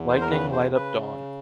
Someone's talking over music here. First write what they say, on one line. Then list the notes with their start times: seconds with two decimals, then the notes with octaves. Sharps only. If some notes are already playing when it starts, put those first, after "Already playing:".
Lightning light up dawn.
Already playing: E2
0.08 C5
0.21 A#4
0.30 C#3 B4
0.52 C5
0.74 C#3 B4